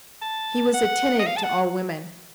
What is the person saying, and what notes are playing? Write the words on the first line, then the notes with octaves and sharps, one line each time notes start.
He was attentive to all women.
A5
F#5
D#5
F5
A5
F#5